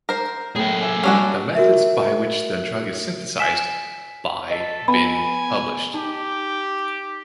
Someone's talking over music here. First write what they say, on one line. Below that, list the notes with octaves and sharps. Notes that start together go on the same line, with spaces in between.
The methods by which the drug is synthesized by been published.
A#4 C5
A2 A#3 G#4
E5 G#5 D6
G3 C#4 D4 F#4 E6
F#4 A#4 E5
G#5 B6 E7
A4 D#5 B6
B3 G#5 B5
D#4 G4 A5